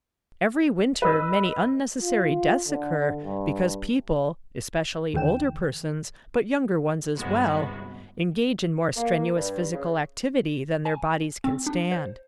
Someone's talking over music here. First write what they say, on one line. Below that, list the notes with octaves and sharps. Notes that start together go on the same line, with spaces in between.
Every winter many unnecessary deaths occur because people--especially older persons, but younger ones as well--engage in more strenuous physical activity than their bodies can stand.
B4 D#5 E6
F4
D3
G2
D#2 D3 E3 G5 E7
G1 C2 G#3 B3 F#4
A#3
G2
C#3
G#5
C4
D4
C5